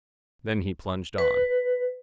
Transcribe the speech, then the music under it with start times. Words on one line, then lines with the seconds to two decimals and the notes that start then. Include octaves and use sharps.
Then he plunged on.
1.18 B4